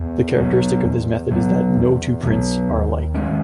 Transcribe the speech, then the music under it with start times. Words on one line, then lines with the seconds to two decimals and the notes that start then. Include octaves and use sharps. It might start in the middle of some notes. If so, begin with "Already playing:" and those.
The characteristic of this method is that no two prints are alike.
Already playing: E2
0.37 B2 F#3 B3
0.84 E2
1.30 B2 F#3 B3
1.77 E2
2.23 B2 F#3 B3
2.69 D#2
3.14 D#3 G#3 C#4